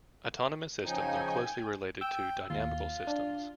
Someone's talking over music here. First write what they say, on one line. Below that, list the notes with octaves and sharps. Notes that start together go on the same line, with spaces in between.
Autonomous systems are closely related to dynamical systems.
C#3 F3 D#4 G5 G#5
G5 E6
D#2 F4
D4